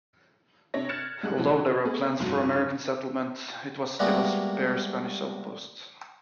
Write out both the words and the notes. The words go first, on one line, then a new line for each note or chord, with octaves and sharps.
Although there were plans for American settlement, it was still a spare Spanish outpost.
C3 D4 C#5 A#6
F6 F#6 G#6 A6 C#7 E7
G3 G#3 F#6
B2 E3 F#3
A3 B3 G#4
F1 B1 G2 F#4
G3 G#3 A#3 B3 E4 F#4